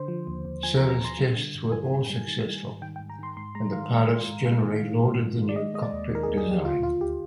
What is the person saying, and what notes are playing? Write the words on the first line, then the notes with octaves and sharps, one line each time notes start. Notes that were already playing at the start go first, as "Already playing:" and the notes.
Service tests were all successful, and the pilots generally lauded the new cockpit design.
Already playing: D3 C5
F3
D#2
D#2
F3 G#5
A#5
D#2
A#5
D#2 C6
G3
D3
G2
G2 G#5
G2
G3
D#3
G3
G#2
D#3 G5
G#2 G5
A#5
D#3 C6
G#2 C6
G#3 A#5
D#3 F5
G#3
G#3
G#2
G#3 F5
D#3
G#2
G#3
G#2
D#3
D5
G#3 D#5
G#3 D#5
D5
D#2
D#3 A#4
G#4
D#2
G#4
D#2 G4
D2 F4
D2 F4
G4